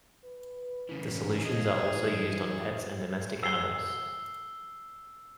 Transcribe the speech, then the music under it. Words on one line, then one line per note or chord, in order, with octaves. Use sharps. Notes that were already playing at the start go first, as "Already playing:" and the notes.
The solutions are also used on pets and domestic animals.
B4
C#3 E3
F3 D#4 G#4
E3
E6 C7 G7